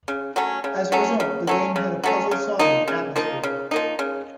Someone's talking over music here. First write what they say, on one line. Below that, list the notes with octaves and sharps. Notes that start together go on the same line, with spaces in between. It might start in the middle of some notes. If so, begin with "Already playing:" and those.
As a result, the game had a "puzzle-solving" atmosphere.
C#3
F#3 A3 C#4
C#3
F#3 A3 C#4
C#3
F#3 A3 C#4
C#3
F#3 A3 C#4
C#3
F3 A#3 D#4
C#3
F3 A#3 D#4
C#3
F3 A#3 D#4
C#3